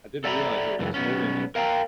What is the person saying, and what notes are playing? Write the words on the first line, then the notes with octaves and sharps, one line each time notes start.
I didn't realize I was just holding the kn
A4 D5 E5 G#5 A#5 B5
C#2 F#2 E3
B1 G2 B3 C#4
A#4 F5 G5 A#5